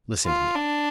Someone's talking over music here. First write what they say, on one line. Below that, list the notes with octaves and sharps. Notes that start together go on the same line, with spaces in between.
Listen to me.
F4
D4